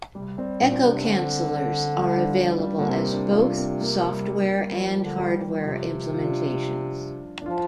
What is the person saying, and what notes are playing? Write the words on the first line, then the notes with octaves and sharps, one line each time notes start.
Echo cancelers are available as both software and hardware implementations.
C3 G3
G3 C4
A#2 D4
C4
C3 D4
D4
D3 C4
G3
D4
F4
G3
D3 A#3
C3 C4
D4
F4
D4
C4
A#3
G3
G3
F3 G3
D3
G3
G3
C3 F3
F4
D4
D4
F3 F4